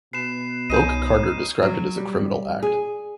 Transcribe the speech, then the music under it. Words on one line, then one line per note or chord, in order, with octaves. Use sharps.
Boake Carter described it as a criminal act.
B2 B4 C7 E7
C2 C#4 D#4 D#5 G6 D#7
F#3
G3
G#4